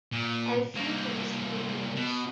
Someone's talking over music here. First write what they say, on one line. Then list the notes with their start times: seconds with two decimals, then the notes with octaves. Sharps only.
I feud with studios.
0.12 A#2
0.75 C2 A#3
1.96 B2